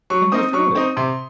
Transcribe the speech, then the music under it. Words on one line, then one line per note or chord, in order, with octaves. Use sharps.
"And who threw it?"
F#3 C#6
C4 D#4 D#6
F#3 C#6
C4 D#4
C3 C6